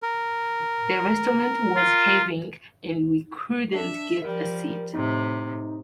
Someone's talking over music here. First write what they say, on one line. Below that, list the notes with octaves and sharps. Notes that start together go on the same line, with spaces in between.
The restaurant was heaving and we couldn't get a seat.
A#4
F4
D4 E5
F3 G3 A#4
A2 C3 D#4